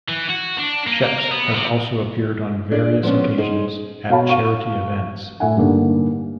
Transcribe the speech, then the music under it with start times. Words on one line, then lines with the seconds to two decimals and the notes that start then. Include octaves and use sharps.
Scheps has also appeared on various occasions at charity events.
0.09 E3
0.30 F#4
0.59 D4
0.87 A#3
1.04 A#3
1.18 A#4
1.31 B3
1.54 C3
2.72 D4 G#4 D5
3.03 F3 G#3 B3 C#4
3.38 D#4 G#4 C5
4.10 B2 C#5 F5 A5 B5
4.29 F5 C#6
5.40 A2 E5 F#5 G#5
5.57 G2 D3 A#3 D#4